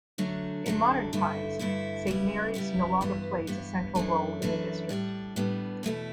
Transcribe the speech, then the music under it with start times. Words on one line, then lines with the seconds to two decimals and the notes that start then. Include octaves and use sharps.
In modern times Saint Mary's no longer plays a central role in the district.
0.18 D3 F#3 A3 D4
0.66 D3 F#3 A3 D4
1.13 G2 D3 A3 E4
1.59 G2 D3 A3 E4
2.07 C#3 G3 B3 E4
2.54 C#3 G3 B3 E4
3.01 G2 E3 B3
3.47 G2 E3 B3
3.95 F#2 E3 A3 D4
4.42 F#2 E3 A3 D4
4.89 A2 G3 B3 D4
5.36 A2 G3 B3 D4
5.83 E2 B2 A3 E4